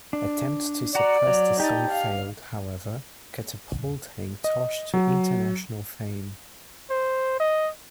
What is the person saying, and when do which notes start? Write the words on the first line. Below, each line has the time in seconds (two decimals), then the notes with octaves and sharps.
Attempts to suppress the song failed, however, catapulting Tosh to international fame.
0.13 D4
0.95 F#4 D5 F#5 A#5
1.27 F#3
1.60 D#4 G4 G5 A5
1.91 F5
4.44 D#5
4.94 F#3
6.90 C5
7.40 D#5